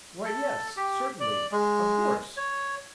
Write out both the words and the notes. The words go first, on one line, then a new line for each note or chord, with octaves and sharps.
Why yes, certainly, of course!
A4
G4
D5
G#3
C#5